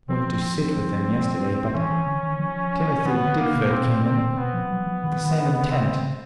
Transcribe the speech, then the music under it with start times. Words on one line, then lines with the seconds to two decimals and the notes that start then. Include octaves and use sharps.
I went to sit with him yesterday, but Timothy Digfort came in, with the same intent.
0.09 F3 C4
0.42 C4
1.74 E3 C#4
1.90 E3
2.06 D3
2.23 D#3
2.39 F3
3.05 D#3 B3
3.21 D3
3.39 A#3
3.55 B2
3.71 A#2 C4
3.79 B2
3.86 A#2
4.04 C4
4.37 B2 B3
4.54 F3
4.70 F#3
4.87 F3
5.04 D#3
5.25 D#3
5.47 D3
5.59 C#3
5.69 C3 C4
5.86 C#3
6.03 C#3